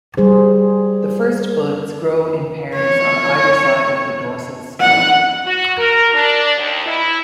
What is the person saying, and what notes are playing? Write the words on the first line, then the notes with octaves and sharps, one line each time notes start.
The first buds grow in pairs on either side of the dorsal stalk.
G3 G#4 C5
C#5
F#5
F#4
A#4
D4
D#2
E4